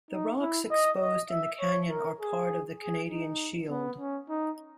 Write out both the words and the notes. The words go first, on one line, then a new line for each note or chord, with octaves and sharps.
The rocks exposed in the Canyon are part of the Canadian Shield.
D#4
E4
D#5
D#5
E5
C#5
A#4
G#4
G#4
D#4
B3
C#4
D#4